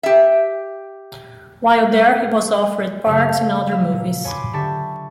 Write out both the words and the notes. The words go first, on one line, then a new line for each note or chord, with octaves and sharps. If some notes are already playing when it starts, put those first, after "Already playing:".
While there he was offered parts in other movies.
G4 E5
F#2 C#3 G#4 E6
A3 C#5 F5
F#3 F5 E6 F6 B6 E7
A#2
C#5 G#5 B5 C6 D6
D3 G4 E5 A5 C#6 A6